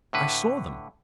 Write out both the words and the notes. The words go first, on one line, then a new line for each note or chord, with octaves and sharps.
"I saw them."
A2 D3 B4